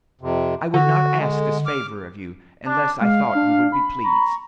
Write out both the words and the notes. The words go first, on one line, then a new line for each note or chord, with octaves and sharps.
I would not ask this favour of you unless I thought you would be pleased.'
F2 C3
D3 F#4
G#3
D6 F6
D4
G#3 F5
D4
B5
A#5 C#6